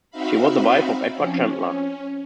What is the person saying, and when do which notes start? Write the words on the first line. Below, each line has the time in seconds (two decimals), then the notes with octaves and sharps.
She was the wife of Edward Chandler.
0.11 C4 D#4 F#4 E5 F5 B5
1.13 F3 C4 C#4
1.47 C#4